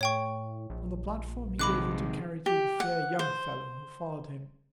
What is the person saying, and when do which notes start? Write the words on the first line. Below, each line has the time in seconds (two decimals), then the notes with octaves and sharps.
On the platform he gave it to carry to the fair young fellow who followed him.
0.01 A2 C#5 G5 C#6
0.70 A#1
1.59 C3 D#3 G#3 B5 D6 F#6
2.46 G4
2.80 F#5
3.19 C5